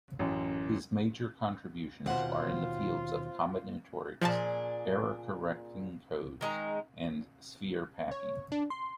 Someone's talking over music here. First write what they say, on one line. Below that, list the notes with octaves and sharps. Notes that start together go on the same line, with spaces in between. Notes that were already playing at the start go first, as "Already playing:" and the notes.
His major contributions are in the fields of combinatorics, error-correcting codes, and sphere packing.
A1 F#2
D#2 B2 C4 F4 C5 F#5
A#2 F3 D4 G#4 A5
D#3 G#3 A#5
C#5
D4
C6